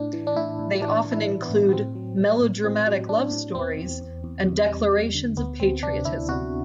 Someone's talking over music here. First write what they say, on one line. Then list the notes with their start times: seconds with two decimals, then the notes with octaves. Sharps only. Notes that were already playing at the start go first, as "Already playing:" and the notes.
They often include melodramatic love stories and declarations of patriotism.
Already playing: A2 D4
0.13 E3
0.27 D4
0.36 A2 E4
0.59 A2
0.82 E3 D4
1.05 E3
1.12 E4
1.27 E3
1.42 B3
1.50 A2
1.69 B3
1.73 A2 C4
1.95 F#3
2.19 F#3
2.42 A2
2.64 A2 C4
2.86 F#3
3.09 A2 D4
3.32 A2
3.55 E2 C4
3.78 E2
4.01 E2
4.24 E2
4.46 E2
4.69 G3
4.92 G3
5.15 D3
5.37 D2 B3
5.60 D2 C4
5.83 C3 D4
6.05 D2 E4
6.28 C3 F#4